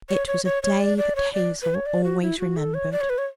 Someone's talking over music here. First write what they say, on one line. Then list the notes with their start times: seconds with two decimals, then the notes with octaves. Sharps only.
It was a day that Hazel always remembered.
0.10 C#5
0.27 C#5
0.45 C#5
0.63 C#5
0.80 D5
0.98 D5
1.16 C#5
1.34 D5
1.62 B4
1.75 C#5
1.86 D5
2.04 F#4
2.22 E4
2.39 F#4
2.57 A4
2.74 C#5
2.92 D5
3.01 C#5
3.10 B4
3.18 C#5